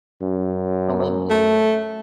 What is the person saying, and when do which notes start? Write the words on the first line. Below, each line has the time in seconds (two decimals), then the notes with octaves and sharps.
I loved it.
0.22 F#2
1.30 A3